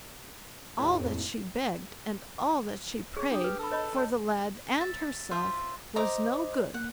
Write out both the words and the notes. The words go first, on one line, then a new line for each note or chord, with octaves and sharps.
All that she begged, and all that she prayed, for the lad and herself, was no good.
D#2 A2 E4
F2
G#4 C#5
D4 G4 D#6
B4
A4 B5 E6
C#5 D#5 B5
C#5 A5
E5 A6
F4 C5 E5
C5 D#5 A#5 D6
A#3 F#5